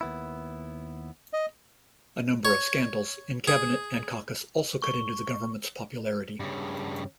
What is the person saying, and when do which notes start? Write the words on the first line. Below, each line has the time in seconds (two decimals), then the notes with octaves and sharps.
A number of scandals in cabinet and caucus also cut into the government's popularity.
0.01 D#2 B3 E4
1.33 D#5
2.45 C#5
3.48 G#4
4.82 C#6
6.40 G2 C#3